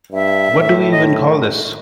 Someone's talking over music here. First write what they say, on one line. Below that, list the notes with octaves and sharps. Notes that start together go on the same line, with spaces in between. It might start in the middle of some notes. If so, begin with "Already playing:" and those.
What do we even call this?
G2 E5
A2
D#5